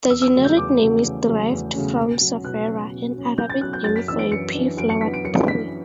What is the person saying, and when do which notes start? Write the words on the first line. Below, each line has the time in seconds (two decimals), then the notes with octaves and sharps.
The generic name is derived from "sophera", an Arabic name for a pea-flowered tree.
0.10 E2 E6
0.22 E6
0.34 C#3 F#3 A3 C#4
0.45 G6
0.57 E2 D6
0.81 C#3 F#3 A3 C#4
1.04 E2
1.27 C#3 F#3 A3 C#4
1.50 E2
1.73 C#3 F#3 A3 C#4
1.98 B2
2.21 F#3 C#4
2.44 B2 F#6
2.68 F#3 C#4
2.91 B2
3.14 F#3 C#4
3.38 B2 G6
3.50 A6
3.61 F#3 C#4 F#6
3.73 G6
3.84 F#2 A6
3.96 B6
4.08 E3 B3 D4 E6
4.19 D7
4.31 F#2 C#7
4.54 E3 B3 D4
4.77 F#2 D7
4.90 C#7
5.01 E3 B3 D4 B6
5.14 D7
5.25 F#2 C#7
5.48 E3 B3 D4 B6